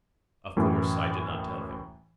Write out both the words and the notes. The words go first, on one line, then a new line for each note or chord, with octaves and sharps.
Of course I did not tell him.
F#2 A2 E3